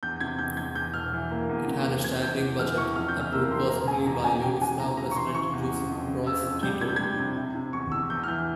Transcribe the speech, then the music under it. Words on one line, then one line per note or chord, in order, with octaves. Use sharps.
It had a staggering budget approved personally by Yugoslav president Josip Broz Tito.
E2 G6
C3 G#6
E2 G6
E2 G#6
E2 G6
E1 F6
E3
A#3
E2
C3
E2
E2 G#6
E2 G6
E2
E3 F6
E2 C#6
F2 F6
G6
E3
F6
A#3 E6
F2 C6
E1 A#5
C#3 G#5
E2 A#5
E1 G#5
C#3 G5
E2 G#5
E2 A#5
C#3 A#5
C#6
E3 C6
C#3 C#6
E2
C#3
F2
C#3
C#3 E6
F2
G3 G6
C3 G#6
G6
G3 G#6
C3
C3
C3
E2 C#6
E2 E6
E2 G6
F6
E3 G6